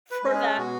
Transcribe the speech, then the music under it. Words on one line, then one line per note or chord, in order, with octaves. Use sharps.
for that
B4
G#3 C#4
G#4
B2 F#4